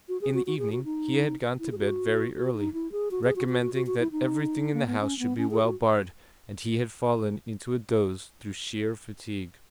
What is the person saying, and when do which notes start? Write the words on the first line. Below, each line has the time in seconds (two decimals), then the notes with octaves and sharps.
In the evening, he had gone to bed very early, recommending that everything in the house should be well barred, and he had fallen into a doze through sheer fatigue.
0.09 F#4
0.21 G#4
0.34 F#4
0.46 F#4
0.59 G#4
0.72 F#4
0.84 D#4
1.60 E4
1.72 G#4
1.79 F#4
2.36 F#4
2.55 D#4
2.74 E4
2.92 G#4
3.11 F#4
3.24 G#4
3.36 F#4
3.49 F#4
3.61 F#4
3.74 F#4
3.87 F#4
4.00 E4
4.12 D#4
4.74 A#3
4.87 B3
5.00 C#4
5.19 B3
5.38 C#4
5.51 G#4
5.63 F#4